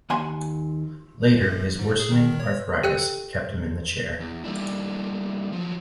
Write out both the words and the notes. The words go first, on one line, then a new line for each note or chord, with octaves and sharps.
Later, his worsening arthritis kept him in the chair.
D#2 F#5 G#5 C6
F#2
G#2
G#4
D#3
C#5
G4 A4 G5 E6 F#6 C#7
E2
G3 A3 A#3 D4 E4
F3 F#3